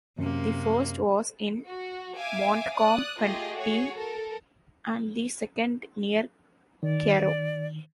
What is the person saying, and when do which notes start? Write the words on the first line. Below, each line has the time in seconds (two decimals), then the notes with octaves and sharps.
The first was in Montcalm County and the second near Caro.
0.18 F#2 C3 A#3
1.69 F#4
2.18 E5 F5 G#5 D6
2.75 D5 D#6 F#6
3.19 A3 F4 G4 G#4 D#5
3.56 F#4 G#4 C#5
3.95 A4 A#4
6.83 D#3 D5